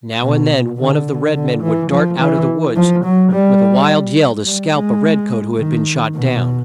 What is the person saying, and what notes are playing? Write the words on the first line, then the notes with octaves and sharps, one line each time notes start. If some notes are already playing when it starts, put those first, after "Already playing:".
Now and then one of the red-men would dart out of the woods with a wild yell to scalp a red-coat who had been shot down.
B2
D3
D3
E3
F3
E3
F3
F#3
G3
G3
G#3
D#3
B2